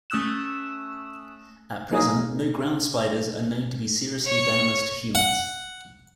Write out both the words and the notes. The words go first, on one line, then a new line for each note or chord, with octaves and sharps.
At present, no ground spiders are known to be seriously venomous to humans.
A3 C#4 D#6 E6 F#6 E7
A#3 D#4 G#4
C#5 C#6
F#5